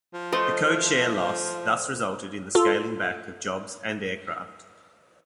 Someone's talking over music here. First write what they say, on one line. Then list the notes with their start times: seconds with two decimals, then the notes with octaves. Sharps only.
The code-share loss thus resulted in the scaling back of jobs and aircraft.
0.14 F3
0.32 A3 C5 D#5 C6
2.55 F4 A4